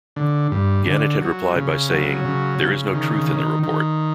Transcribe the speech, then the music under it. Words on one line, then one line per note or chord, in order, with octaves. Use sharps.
Gannett had replied by saying: There is no truth in the report.
D3
G2
D3
F#3
C#3
F#3
C#3
C#3
D#3
D#3
D#3